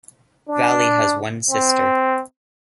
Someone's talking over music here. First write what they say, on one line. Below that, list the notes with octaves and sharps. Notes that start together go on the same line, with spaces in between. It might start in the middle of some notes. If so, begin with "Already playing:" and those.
Valley has one sister.
D4
C4